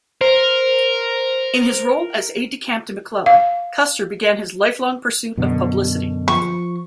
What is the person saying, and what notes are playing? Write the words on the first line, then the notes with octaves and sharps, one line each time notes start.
In his role as aide-de-camp to McClellan, Custer began his life-long pursuit of publicity.
A#4 C5
F5
F#2 B2 D3
F3 C#6